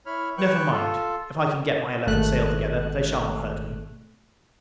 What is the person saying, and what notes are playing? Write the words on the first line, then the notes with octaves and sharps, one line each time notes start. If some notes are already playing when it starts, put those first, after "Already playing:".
Never mind; if I can get my eleven sail together, they shall not hurt me.
E4 C#5 B5 F6
B4 G5 C#6 F#6
F4 A4
G#1 A3 F#6